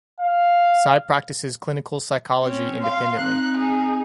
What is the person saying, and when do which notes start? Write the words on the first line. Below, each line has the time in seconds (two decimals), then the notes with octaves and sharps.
Tsai practices clinical psychology independently.
0.20 F5
2.39 C4 C#4
2.83 F5 C6
3.18 C4 D#4 F#6
3.57 G#4